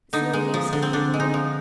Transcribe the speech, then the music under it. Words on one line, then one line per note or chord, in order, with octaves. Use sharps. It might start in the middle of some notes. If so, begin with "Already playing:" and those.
It's no use--I can't read it.'
D3 D#4
G#3
F3
D3
C4
D3 D4
G#3
D#4
F3